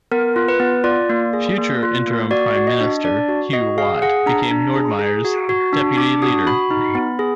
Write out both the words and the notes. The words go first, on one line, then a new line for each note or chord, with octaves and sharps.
Future interim Prime Minister, Hugh Watt became Nordmeyer's deputy leader.
B3 A#4
F4
B4
B3
F4 D5
A#3
G#4
A#3
F4
A#3
F#4 D5
F#4
D#5
D4
D4 D5
F#4
F#4 D#5
G#4 F5
G#4 F#5
D4 A#5
D4
G#4
G#4
F#4
F#4
D4
D4 D6
F#4 D#6
F#4 B5
D#4
B3
G#4